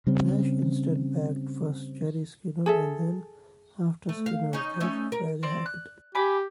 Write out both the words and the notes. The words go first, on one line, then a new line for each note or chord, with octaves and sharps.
Nash instead backed first Jerry Skinner and then, after Skinner's death, Fred Hackett.
C#3 G3 C4 C#4
G#4 A4 E5
A3
F5
C#4 D#4
A3 C#4 D#4
A#4
C4 D5
F#6
G4 G#5 B5 D6